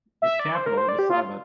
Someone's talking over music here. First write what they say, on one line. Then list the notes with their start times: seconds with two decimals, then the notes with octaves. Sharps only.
Its capital is Sibut.
0.22 E5
0.40 D5
0.55 C5
0.66 A#4
0.78 C5
0.89 D5
0.99 G4
1.10 F4